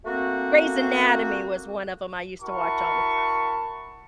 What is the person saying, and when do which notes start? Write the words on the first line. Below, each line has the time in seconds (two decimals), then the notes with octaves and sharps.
Grey's Anatomy was one of 'em I used to watch all the time.
0.05 A3 A#3 C4 F#4
2.41 E4 F#4 A#4 A5 B5 C#6